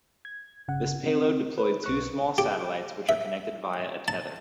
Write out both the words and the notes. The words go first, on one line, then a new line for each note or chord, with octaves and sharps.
This payload deployed two small satellites which are connected via a tether.
G#6
G1 C#3 F#5
C4
B4
B1 C#6 F#6
G4
E5
A5